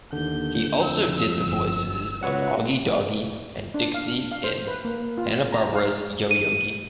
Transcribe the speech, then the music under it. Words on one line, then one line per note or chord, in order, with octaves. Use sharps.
He also did the voices of Augie Doggie and Dixie in Hanna-Barbera's Yo Yogi!
D#2 D3 G6
F2 E6
G1
C#2 F#4 B4 C#5 F#5
D4
F5
F5
C5
B4
A#3
F4
A#5
F5
D#7